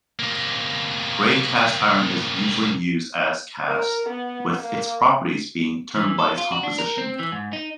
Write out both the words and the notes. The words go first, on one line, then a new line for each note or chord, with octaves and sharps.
Grey cast-iron is usually used as-cast, with its properties being determined by its composition.
C3 A#3
A#4
B3
A#3
E3
A4
F4
F#4
D4
A#4
C4
E3
G#2
D#4